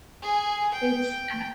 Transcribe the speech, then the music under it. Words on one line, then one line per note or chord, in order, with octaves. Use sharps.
it's I
G#4 G#5
G5